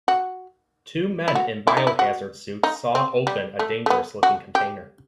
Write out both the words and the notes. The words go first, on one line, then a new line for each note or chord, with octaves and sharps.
Two men in biohazard suits saw open a dangerous looking container.
F#4
E4
F#4
E4
D#4
E4
F#4
D#4
C4
G3
A3
A3
B3
F#4
G4